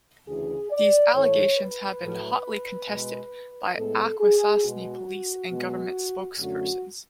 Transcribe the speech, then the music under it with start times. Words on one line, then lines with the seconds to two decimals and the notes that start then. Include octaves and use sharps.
These allegations have been hotly contested by Akwesasne police and government spokespersons.
0.27 D2 C#3 E3 G#4
0.71 D5
1.14 A2 E3 A3 C#5
1.58 B4
2.02 A2 F#3 A3
2.89 B2 G#3 B3
3.77 A2 G#3 B3 A4
4.21 G#4
4.64 B2 G#3 B3 F#4
5.51 B2 G#3 B3
6.39 F#2 D3 F#3 A3 F#4